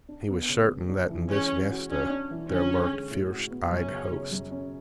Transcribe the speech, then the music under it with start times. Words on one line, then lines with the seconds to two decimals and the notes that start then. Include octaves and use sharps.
He was certain that in this vista there lurked fierce-eyed hosts.
0.08 D4
0.29 B3
0.49 C#3
0.69 B3
0.89 D4
1.09 E3
1.30 G#3 C#4
1.49 G#3
1.69 F#4
1.89 C#4 D4
2.09 D4
2.30 E3
2.50 D3 C#4
2.71 G#4
2.91 G#3
3.10 A2
3.31 F#4
3.51 B3
3.71 F#2 C#4
3.91 C#3
4.11 C#3
4.32 F#2
4.51 C#4